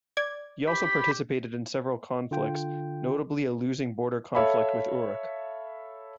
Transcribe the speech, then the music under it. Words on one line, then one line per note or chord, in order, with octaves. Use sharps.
He also participated in several conflicts, notably a losing border conflict with Uruk.
D5 G#6
G4 B5
D3 F4 G5
A4 C#5 E5 F5 B5